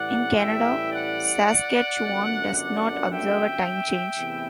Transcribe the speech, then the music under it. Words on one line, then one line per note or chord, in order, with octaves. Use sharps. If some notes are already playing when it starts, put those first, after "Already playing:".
In Canada, Saskatchewan does not observe a time change.
Already playing: A1 A2 E3 G3 D5 F#5
E5 G5
D5 F#5
G1 F#2 D3
D5 F#5
E5 G5
E2 C3 E3 A3